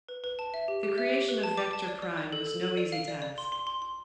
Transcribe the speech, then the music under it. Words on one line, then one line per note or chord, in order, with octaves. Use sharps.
The creation of Vector Prime was no easy task.
B4
B4
A5
E5
G4
G4
E5
G4
B4
A5
D6
A5
D5
D5
D5
A4
A4
A4
D5
F5
D5
D5
C6
C6
C6
C6